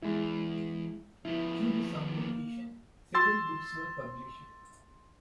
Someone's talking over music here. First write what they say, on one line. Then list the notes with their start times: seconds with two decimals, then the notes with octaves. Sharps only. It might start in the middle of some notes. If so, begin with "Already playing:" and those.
Through this organization, several books were published.
0.02 E2 G#3 E4
1.25 F3 B3 E4
2.17 A#3
3.15 C6 E6 A6